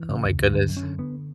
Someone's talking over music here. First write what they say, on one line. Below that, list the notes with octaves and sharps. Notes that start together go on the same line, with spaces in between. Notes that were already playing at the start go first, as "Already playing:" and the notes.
Oh my goodness.
Already playing: E3
C#3
D2
D2
F#2 D3
F#2
C#4
D3
D3 B3